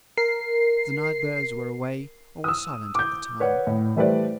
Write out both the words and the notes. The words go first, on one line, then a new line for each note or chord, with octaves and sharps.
The night-birds were away, or were silent at the time.
A#4 C7
D#6 E6
D6 G6
B4 C#5 D5 F#5
A2
E3 G3 A3 B4 C5 D5